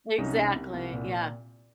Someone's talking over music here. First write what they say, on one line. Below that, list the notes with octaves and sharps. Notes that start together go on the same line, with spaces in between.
Exactly, yeah.
C2 C#4 D#4
C2
C2
C2
A#2